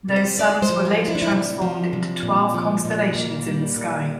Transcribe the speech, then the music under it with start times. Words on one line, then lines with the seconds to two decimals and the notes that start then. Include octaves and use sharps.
Those sons were later transformed into twelve constellations in the sky.
0.08 C3
0.16 C5
0.39 A2 D5
0.62 C5
0.70 F3
0.85 F4
1.00 A2
1.08 E4
1.15 D4
1.22 E4
1.31 C3 D4
1.62 F3
1.93 C3
2.23 A#2
2.54 F3
2.85 A#2
3.15 A#2 A#3
3.46 G3
3.76 A#2